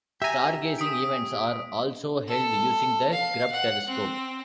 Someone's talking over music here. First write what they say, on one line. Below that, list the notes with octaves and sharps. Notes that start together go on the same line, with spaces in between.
Stargazing events are also held using the Grubb telescope.
G4 E5 G#5 A#5
D#6 B6 D7
A4
F5
F#5
C4